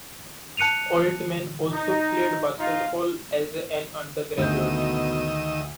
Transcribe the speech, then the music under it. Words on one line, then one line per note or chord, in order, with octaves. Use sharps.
Altmann also played basketball as an undergraduate.
A5 F#6 C#7 D#7 F7
D#4
D#4 F4
D2 B2 D#3 D#5 E6 G6